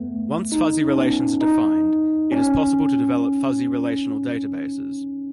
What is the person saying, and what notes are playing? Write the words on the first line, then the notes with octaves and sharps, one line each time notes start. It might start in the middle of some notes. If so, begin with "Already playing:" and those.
Once fuzzy relations are defined, it is possible to develop fuzzy relational databases.
Already playing: A3 B3
D#4
C#4
B3
D#4
C#4